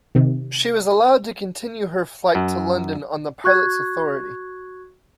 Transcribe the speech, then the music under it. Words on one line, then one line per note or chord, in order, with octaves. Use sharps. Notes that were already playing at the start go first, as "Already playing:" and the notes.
She was allowed to continue her flight to London on the pilot's authority.
C3 D#3
F#2
F#4 C#6 F#6 G#6